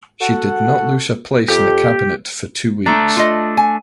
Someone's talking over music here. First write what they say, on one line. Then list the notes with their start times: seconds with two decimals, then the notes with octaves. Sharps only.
She did not lose her place in the cabinet for two weeks.
0.21 F#4 A4 F#5
1.48 F2 G4
2.86 A3 D4 A#5
3.17 F4 D#5
3.57 G#5